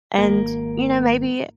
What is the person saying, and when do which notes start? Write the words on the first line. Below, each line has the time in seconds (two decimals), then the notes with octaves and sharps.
and, you know, maybe
0.18 G#1 A#3